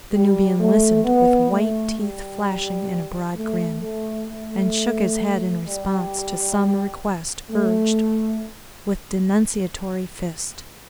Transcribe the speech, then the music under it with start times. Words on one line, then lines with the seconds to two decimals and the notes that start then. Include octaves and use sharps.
The Nubian listened with white teeth flashing in a broad grin, and shook his head in response to some request urged with denunciatory fist.
0.12 G3
0.59 A3
1.04 B3
1.51 A3
1.97 G3
3.35 A3
3.80 A3
4.27 A3
5.65 G3
7.50 A3